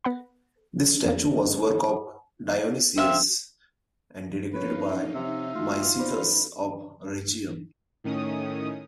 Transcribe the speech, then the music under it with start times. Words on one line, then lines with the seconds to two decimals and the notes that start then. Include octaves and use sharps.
This statue was a work of Dionysius, and dedicated by Micythus of Rhegium.
0.04 B3 F#5 B5
1.06 F2 A#3
2.98 C4 E5 F5
4.53 F3 C#4 D#4 B4 C#5 F5
5.15 C3 E5
5.55 A3 F4 F#4
5.99 B4 C5 D5 B5
8.04 A2 D#3 C#4 D#6